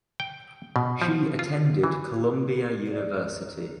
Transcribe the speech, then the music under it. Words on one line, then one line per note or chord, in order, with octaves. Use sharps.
She attended Columbia University.
G5
B2
F3
F4
E3
A#4 D5